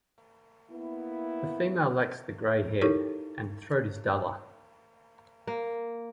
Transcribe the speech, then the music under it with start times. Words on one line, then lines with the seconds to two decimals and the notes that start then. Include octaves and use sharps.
The female lacks the grey head, and the throat is duller.
0.71 A#3 B3 E4
2.81 D#4 E4 G4 A4 A#4 C#5
5.47 A#3